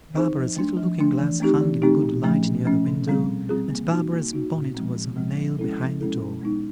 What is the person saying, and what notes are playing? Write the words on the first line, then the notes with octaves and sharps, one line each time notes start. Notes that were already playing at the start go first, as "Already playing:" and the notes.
Barbara's little looking-glass hung in a good light near the window, and Barbara's bonnet was on a nail behind the door.
C4 D#4 G#4 C5
F3
A3 D4
F3
A3 D4
E3
A3 C4 D#4 G4
E3
A3 C4 D#4 G4
A#2
F3 A3 C#4
A#2
F3 A3 C#4
B2
G3 C4 F4 G#4
B2
G3 C4 F4 G#4
A#3
D#4 F#4
A#3
D#4 F#4
A#2
F3 G#3 C4
A#2
F3 G#3 C4
F3
G#3 C#4 E4 A4
F3
G#3 C#4 E4 A4
B2
G#3 B3 D#4